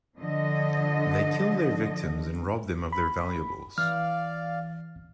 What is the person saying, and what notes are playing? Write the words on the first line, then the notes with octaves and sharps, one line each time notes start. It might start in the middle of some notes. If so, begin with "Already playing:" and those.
They kill their victims and rob them of their valuables.
D3 F3 D#5
B5
E3 D5 F5 F6